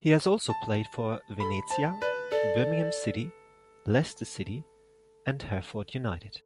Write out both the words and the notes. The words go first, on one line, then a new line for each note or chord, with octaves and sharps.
He has also played for Venezia, Birmingham City, Leicester City and Hereford United.
A5
A4 B5
C5 A5
B4 D5
A4 D5